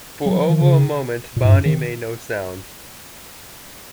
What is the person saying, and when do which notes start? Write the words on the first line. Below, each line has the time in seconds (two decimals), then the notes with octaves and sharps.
For over a moment Bonnie made no sound.
0.26 F#3
0.37 F3
0.50 D#3
0.61 C#3
1.36 A#2
1.45 G#2
1.51 F#2
1.66 D#3